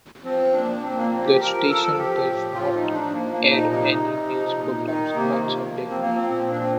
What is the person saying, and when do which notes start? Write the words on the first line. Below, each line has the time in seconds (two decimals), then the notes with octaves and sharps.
The station does not air any news programs on Sunday.
0.24 F3 C4
0.53 A#2 D4
0.82 A#2 C4
0.97 A#3
1.11 F3 C4
1.25 G4
1.39 F3 A#4
1.69 F3 A4
1.93 A4
1.98 F3 G4
2.27 A2
2.55 F3 F4
2.75 D#4
2.84 F3
2.93 D4
3.12 F3 A#3
3.32 A#3
3.41 A#2
3.51 D#4
3.70 C3 D#4
3.99 C3
4.29 F3
4.56 A#2
4.85 D#3 D#4
5.14 C3 A#3
5.43 F3
5.72 F3
5.90 C4
6.00 F3 A#3
6.16 C4
6.29 A#2 C4
6.50 D4
6.58 F3 C4